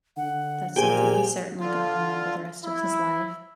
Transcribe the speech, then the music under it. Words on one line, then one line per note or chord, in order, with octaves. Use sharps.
that's something he's certainly gonna remember the rest of his life,
D3 F#5
A#2 G4 G#4 C5 G#5
D3 F4
E4